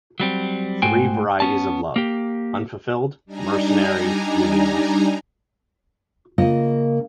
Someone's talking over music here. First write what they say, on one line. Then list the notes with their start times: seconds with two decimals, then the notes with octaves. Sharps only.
Three varieties of love: unfulfilled, mercenary, meaningless.
0.20 F#3 G3 C4
0.82 G#2 A3 F#4 C5 G5 G#5
1.40 B3 C#4 A5
1.96 A#3 G4
3.26 G3 D4 D#4 G#5 A#5
6.38 C#3 A#3 F4 D#5